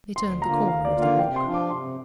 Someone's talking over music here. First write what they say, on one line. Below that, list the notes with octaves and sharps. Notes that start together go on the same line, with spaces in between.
They turned the corner of the walk.
D2 C6
D3 A#3 F4 A#5
D2 F5
D5
D3 A#3 F4
F5
C3 G5
C6
F3 D4 F4
D6
C3 C6